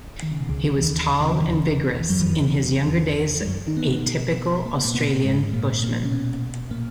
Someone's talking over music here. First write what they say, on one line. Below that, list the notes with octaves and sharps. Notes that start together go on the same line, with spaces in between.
He was tall and vigorous, in his younger days a typical Australian bushman.
D#3
C#3
B2
C#2 C#3
E3
D#2 D#3
C#3
D#3
E2 E3
E2 E3
F#2 F#3
E2 E3
E2 E3
D#3
E2 E3
G#3
F#2 F#3
D#3 D#4
B3
A#3
B2 B3
B2 B3
A#3
B3
A#2 A#3
B2 B3
G#2 G#3
A#2 A#3
A#2 A#3
C#4
B2 B3
A#2 A#3